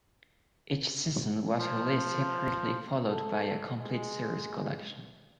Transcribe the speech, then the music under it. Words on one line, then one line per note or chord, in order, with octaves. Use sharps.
Each season was released separately followed by a complete series collection.
F3
A4
G#3